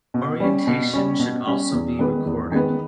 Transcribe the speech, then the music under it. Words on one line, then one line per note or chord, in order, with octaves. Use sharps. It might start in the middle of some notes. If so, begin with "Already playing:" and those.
Orientation should also be recorded.
B2
G3 C#4
B2
G3 C#4
B2
G3 C#4
E2
D#3 G#3 B3
E2
D#3 G#3 B3